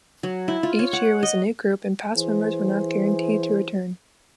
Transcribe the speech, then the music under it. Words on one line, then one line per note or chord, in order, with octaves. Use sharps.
Each year was a new group and past members were not guaranteed to return.
F#3
E4
F4
C#5
F#5
D#5
E3 G#4 C5